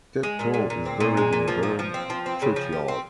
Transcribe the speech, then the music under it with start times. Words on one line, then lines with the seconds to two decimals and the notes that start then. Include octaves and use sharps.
Steptoe is buried in Bourn churchyard.
0.23 G#3
0.39 A#2
0.54 A#2
0.70 A#2
0.86 C4
1.00 A#2
1.17 G#3
1.33 A#2
1.48 F3
1.63 F3
1.79 F3
1.94 C4
2.10 F3
2.26 C4
2.42 C#3
2.56 F3
2.72 G4
2.88 C4